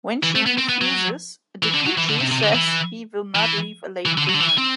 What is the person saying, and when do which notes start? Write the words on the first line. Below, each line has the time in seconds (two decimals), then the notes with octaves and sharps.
When she refuses, De Guiche says he will not leave a lady behind.
0.23 E3
0.35 A3
0.46 B3
0.58 C4
0.69 B3
0.81 F#3
1.63 E3
1.74 D3
1.86 F#3
1.97 E3
2.09 D3
2.20 C3
2.31 C3
2.43 D3
2.55 E3
3.35 E3
4.06 E3
4.17 D3
4.29 F#3
4.34 D3
4.40 E3
4.58 C4